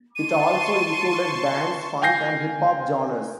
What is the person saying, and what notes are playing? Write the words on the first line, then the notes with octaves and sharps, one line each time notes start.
It also included dance, funk, and hip hop genres.
A5 C6 C#6 D#7
F5 G5 G#5 G6 A#6 C7